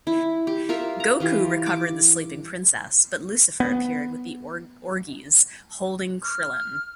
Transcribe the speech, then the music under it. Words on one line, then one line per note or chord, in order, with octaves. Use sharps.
Goku recovered the Sleeping Princess, but Lucifer appeared with the orges, holding Krillin.
E4
G4
F4 A#4 E5
A#5
E3 F4 G4
D6
B3
F6